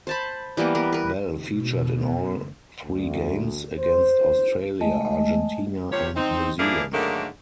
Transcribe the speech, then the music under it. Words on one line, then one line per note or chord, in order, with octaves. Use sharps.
Bell featured in all three games, against Australia, Argentina and New Zealand.
C5 A5 B5
E3 G3 A#3 B3
B3 A#4
A#4 B4
B2
D2
C5
G#3 A3 D#5
C3 F3 G4 C#5
C4 D#4
F3 A#3 D4 E4 G#4
G#2 D3 D#3 F#3 A3 A#3